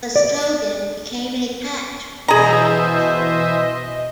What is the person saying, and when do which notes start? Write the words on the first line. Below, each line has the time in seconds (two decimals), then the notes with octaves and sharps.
The slogan became a catch phrase.
0.16 D5
2.28 B2 E3 G#4 C5 D#5 E5 A#5